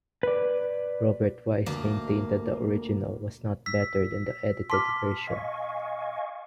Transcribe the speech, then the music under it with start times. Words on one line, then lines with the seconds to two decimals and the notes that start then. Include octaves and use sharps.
Robert Wise maintained that the original was not better than the edited version.
0.23 B4 D5
1.66 D2 A#3
3.66 E6 B6
4.70 A5 C6 D6 F6 B6
5.27 D#5 F5 G#5 C#6